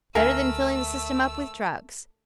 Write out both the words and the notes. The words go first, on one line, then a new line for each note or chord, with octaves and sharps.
Better than filling the system up with drugs.
D2 A3 A#4 E5 F5 G#5 E6